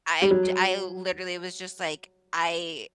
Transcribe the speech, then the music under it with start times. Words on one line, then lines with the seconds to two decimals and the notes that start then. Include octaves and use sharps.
I'd I literally was just like, I
0.22 G3
0.31 F#3